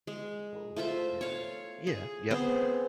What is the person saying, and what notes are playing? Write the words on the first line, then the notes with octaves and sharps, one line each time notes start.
Oh yeah, yeah, yep,
G#3
A3 F4 C5 E5
C#5 F5
G#4
B3 C4 G#4 C5